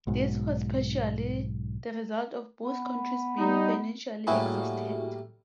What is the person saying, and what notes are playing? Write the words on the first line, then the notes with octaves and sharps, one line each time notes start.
This was partially the result of both countries being financially exhausted.
B1 G#2
B3
G3 D#4
A2 G3 A#3 E4 F#4 G#4